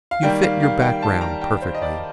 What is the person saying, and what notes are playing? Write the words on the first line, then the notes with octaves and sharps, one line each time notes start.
"You fit your background perfectly."
F5
D#3 G3 A#3 G5
F5
F5
G5
A5
A#5
G5
C5
D#5
D5